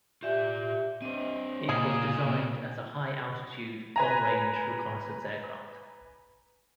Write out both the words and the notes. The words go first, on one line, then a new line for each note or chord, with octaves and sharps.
It was designed as a high altitude long-range reconnaissance aircraft.
F4 G4 D5 E5
C4 D4 C5 D#5
A#2 C#3 G#4
B4 G#5 A#5